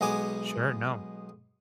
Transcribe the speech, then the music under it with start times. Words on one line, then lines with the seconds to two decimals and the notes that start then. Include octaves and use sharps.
Sure, no.
0.01 B1 G#3 B3 G#5 D6